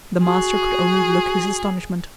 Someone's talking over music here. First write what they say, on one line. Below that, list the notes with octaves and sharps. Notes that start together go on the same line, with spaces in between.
The master could only look his astonishment.
F#4 G#4